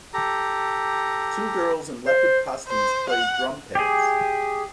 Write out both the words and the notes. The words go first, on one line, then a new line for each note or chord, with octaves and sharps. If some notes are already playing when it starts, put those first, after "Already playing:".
Two girls in leopard costumes play drum pads.
G4 A4 A#5
C5
C5
F#5
G4 G#4